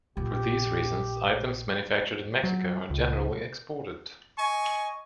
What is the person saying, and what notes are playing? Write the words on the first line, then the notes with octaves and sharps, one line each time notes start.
For these reasons, items manufactured in Mexico are generally exported.
A#1 G4
F#3
C#2
D#5 G#5 C#6